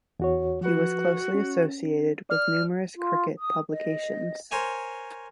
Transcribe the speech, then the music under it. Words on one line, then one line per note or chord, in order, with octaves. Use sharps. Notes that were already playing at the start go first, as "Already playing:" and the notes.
He was closely associated with numerous cricket publications.
E2 F#4 C#5
F3 F#4 B4
C#4
D5 F6
F4
D#6
D#5
A#4 C5 C#5 G#5